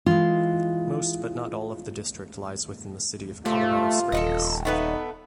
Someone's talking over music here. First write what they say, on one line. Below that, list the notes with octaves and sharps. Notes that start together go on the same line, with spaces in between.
Most but not all of the district lies within the city of Colorado Springs.
E3 G#3 F4
C3 A3 F4
D#1 A4 B4 D#5
A3 B3 D#4 B4